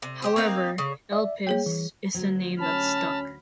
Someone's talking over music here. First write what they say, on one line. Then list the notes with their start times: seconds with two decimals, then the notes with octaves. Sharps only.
However, Elpis is the name that stuck.
0.02 C3
0.22 G4 G#4 C5
0.36 A#3 C4 D#4 F5
0.78 C#3
1.12 D5 E5
1.47 G3 A#3 G#4 C#5 G5
1.66 E3
2.15 D2 G2 F#3
2.60 C#4 A5 B5 F6